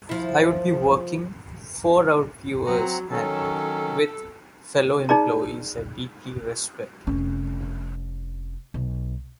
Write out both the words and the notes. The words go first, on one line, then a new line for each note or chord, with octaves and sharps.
I would be working "for our viewers", and "with" fellow employees I deeply respect.
F3 E4
F#3 C4 F#5 A#5
D#3 F#3 C#4 A4
D#4 G#4 D5 A#5
F1 C#4
B1